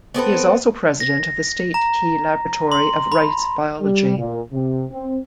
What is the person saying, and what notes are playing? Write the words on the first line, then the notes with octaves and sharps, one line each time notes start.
He is also president of the State Key Laboratory of Rice Biology.
B3 C4 A4 B4
A#6
A#5
C6
B5
G3
A#2
C3
C4